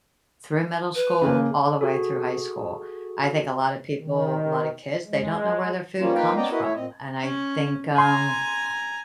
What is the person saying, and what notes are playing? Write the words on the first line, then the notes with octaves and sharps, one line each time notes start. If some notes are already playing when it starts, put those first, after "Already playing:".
through middle school all the way through high school. I think a lotta people lotta kids, they don't know where their food comes from, and I think, um,
B4
C#3 A#3
F#4 G#4 A4
D#3
G#3
F3 G3 A#3 C#4 F4
A#3 D#4 F4 B4 F5 G5
B3 C#4 D5 D#5 G5 A#5
E4 F#4 A#4 B4 D#5
A3 E4 C#5 E5
A#2 C4 D#5
C#4
G#5 A#5 C6